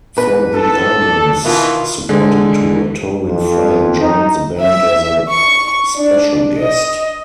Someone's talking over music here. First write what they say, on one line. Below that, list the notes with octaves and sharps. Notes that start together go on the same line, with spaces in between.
For the album's supporting tour, Tobin Frank joined the band as a "special guest".
E2 B4
A4
D4
B2 D#3 E3 F4
D3 G#3
F2
D#4
E5
C#6
D4
D#5